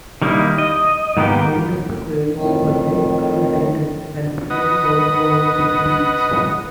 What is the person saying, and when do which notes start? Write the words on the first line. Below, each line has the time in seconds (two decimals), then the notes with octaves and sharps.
Many of the graves were left unattended and became overgrown with weeds.
0.22 D#3 G3 A#3 B3 D#4 E4
0.58 D#5
1.17 G#2 D#3 A#3 B3 G4
2.33 F2 A2 D#3
4.50 B4 D#5 F#5 D#6